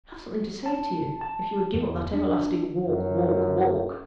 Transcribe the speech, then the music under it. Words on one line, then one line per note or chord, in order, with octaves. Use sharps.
I have something to say to you, if you would give up that everlasting walk, walk, walk.'
A5
A5
E2
D4
F#2